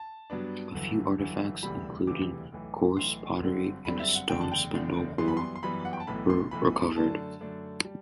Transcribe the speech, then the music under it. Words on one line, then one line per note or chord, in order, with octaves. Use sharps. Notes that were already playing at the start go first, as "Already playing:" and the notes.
A few artefacts including coarse pottery and a stone spindle whorl were recovered.
Already playing: A5
G2 F#3 B3 D4
G1 F#2 E3
G1 F#2 E3
E1 D2 C3 E3 G3 B5
E1 D2 C3 E3 G3 D6
B1 A2 E3
B1 A2 E3 C6
G1 F#2 D3 G3 C4
G1 F#2 D3 G3 C4 B5
E5
F#5
F#1 E2 D3 A3 D4 G5
A5
G5
F#1 E2 D3 A3 D4
F#2 E3 G3 B3 C6
B5
C6
C6
F#2 E3 G3 B3 B5
F#5
G5
A5
B1 A2 E3 B3 B5
C6
B1 A2 E3 B3 B5
F#2 D3 A3 D4 A5
F#2 D3 A3 D4
G3